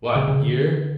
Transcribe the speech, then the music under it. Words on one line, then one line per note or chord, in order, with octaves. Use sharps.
"What, here?"
C#3
C#3
D3